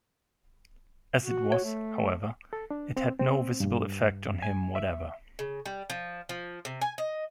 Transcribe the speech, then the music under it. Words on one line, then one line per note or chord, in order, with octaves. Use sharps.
As it was, however, it had no visible effect on him whatever.
F#4
C#5
A3
A4
D4
C4
C4
G2
G#5
E5
C#3
G3
F3
F3
C3
G#5
D#5